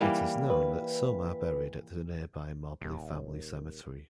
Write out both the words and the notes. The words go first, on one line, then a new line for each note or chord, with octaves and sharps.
It is known that some are buried at the nearby Mobley family cemetery.
E3 G3 A#3
B4
D#1